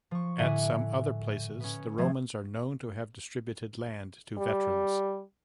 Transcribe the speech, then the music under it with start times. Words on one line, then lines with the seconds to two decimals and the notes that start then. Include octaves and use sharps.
At some other places the Romans are known to have distributed land to veterans.
0.11 F3 C#6
0.38 A2 D3 E5 F#5 G#5 D#7
1.60 B3 C#4
1.98 G#1 F3 A3 G#6
4.38 G3